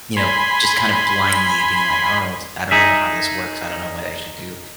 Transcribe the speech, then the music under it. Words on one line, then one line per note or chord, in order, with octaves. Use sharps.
you know, just kind of blindly being like, "I don't know what I don't know how this works. I don't know what I should do
G#5 B5 C6
D#4 G#4 E5